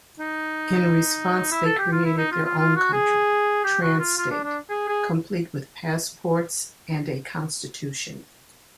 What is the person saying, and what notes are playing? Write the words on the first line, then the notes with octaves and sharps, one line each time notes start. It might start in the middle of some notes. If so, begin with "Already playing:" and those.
In response, they created their own country, "Trans-State," complete with passports and a constitution.
D#4
E4
A4
G4
F4
E4
D#4
F4
F4
F4
F#4
G#4
G4
F#4
F4
F4
D4
D4
G#4
G#4